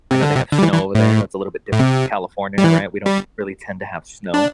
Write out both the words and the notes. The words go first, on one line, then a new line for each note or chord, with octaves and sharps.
I know they have snow over there; that's a little bit different from California, right? We don't really tend to have snow,
C3
D3
C3
D3
G3
E3
E3
A2
A2
C3
G3
E3
G3
D4